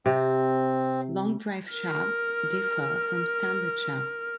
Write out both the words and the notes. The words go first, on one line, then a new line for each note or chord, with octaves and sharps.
Long drive shafts differ from standard shafts.
C3 C4
A#4 F6